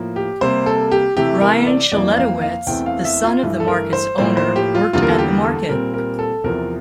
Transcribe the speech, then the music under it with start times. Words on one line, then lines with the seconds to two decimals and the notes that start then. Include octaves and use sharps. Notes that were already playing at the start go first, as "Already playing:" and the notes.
Bryon Schletewitz, the son of the market's owner, worked at the market.
Already playing: A2 F3 A#3
0.16 G4
0.41 C3 G3 A#3 C5
0.66 A4
0.91 G4
1.17 C3 E3 A3 G4
1.41 A#4
1.67 D5
1.92 F2 E3 A#3 D5
2.17 F5
2.42 F5
2.67 E2 E3 A3 C4 G5
2.86 F5
3.05 E5
3.24 F4
3.43 G2 E3 A3
3.60 A4
3.68 A#4
3.93 C5
4.18 A2 F3 A#3 C5
4.37 C5
4.56 G4
4.75 F4
4.93 E2 D3 G3 A#3 F4
5.03 A#4
5.10 A4
5.18 G4
5.44 A4
5.69 A#2 G3 C4 A#4
5.94 A#4
6.19 A4
6.44 E2 C3 F3 C4 A#4